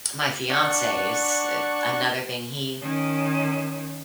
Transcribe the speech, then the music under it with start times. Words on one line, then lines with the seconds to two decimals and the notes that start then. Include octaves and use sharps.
my fiancé is i another thing. He
0.50 D4 F#5 C#6
2.81 D#3 C#4